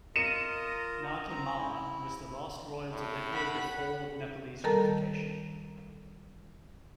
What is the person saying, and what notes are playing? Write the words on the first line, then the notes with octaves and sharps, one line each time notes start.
Nagi Malla was the last royal to live here before Nepalese unification.
F4 A#4 D#5 C#7 D#7 E7
C4 A#5
E4
A2
F#5 B5
D#3 G3 A4 A#4 A5 A#5